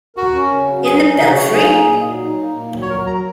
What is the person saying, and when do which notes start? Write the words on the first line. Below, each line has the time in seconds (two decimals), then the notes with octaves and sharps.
In the belfry?!
0.16 F#4 A#4
0.34 C#4
0.51 C#3
0.68 F#3
0.85 G#4 A#4
1.03 C#4
1.19 C#3 D#4
1.36 F#3 F#4
1.54 D#4 G#4
1.70 A#3
1.87 A#2
2.04 F#3
2.21 D#4
2.38 A#3
2.56 A#2
2.72 F#3
2.82 C#5
2.90 F#3 A#4
3.07 A#4 A#5